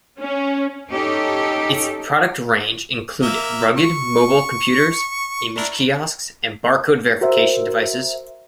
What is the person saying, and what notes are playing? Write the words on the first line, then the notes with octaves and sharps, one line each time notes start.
Its product range included rugged mobile computers, image kiosks, and barcode verification devices.
C#4
C#4 D#4 G4 A4
A#3 E5
C#6
D4 E4 A#4
F#4 A#4 C5 E5